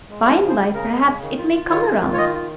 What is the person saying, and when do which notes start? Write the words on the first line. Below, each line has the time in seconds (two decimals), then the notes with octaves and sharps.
By-and-by, perhaps, it may come round.
0.10 G#3
0.25 F3 C#5
0.42 C#3
0.49 C5
0.58 C#3
0.73 C#3 A#4
0.89 G#3
1.05 C#3
1.22 D#3
1.38 F4
1.54 F4
1.70 D#3 C#5
1.86 D#3
2.02 F4
2.13 C#5
2.17 D#3 D#5
2.34 F4